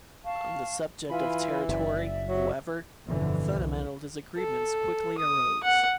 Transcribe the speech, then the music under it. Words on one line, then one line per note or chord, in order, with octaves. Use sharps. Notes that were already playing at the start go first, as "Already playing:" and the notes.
On the subject of territory, however, fundamental disagreements quickly arose.
F5 A5 C#6
E3 F4 G#5 B5
F#1 D5 E5
F#3
G1 F2 B2 D3 E3
C2
A4
D#6
F#5